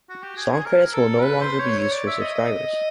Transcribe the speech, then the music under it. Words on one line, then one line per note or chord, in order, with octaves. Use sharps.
Song credits will no longer be used for subscribers.
F#4
G4
G#4
G#4
A#4
A4
B4
C5
C#5
C#5
D5
E5
D#5
D#5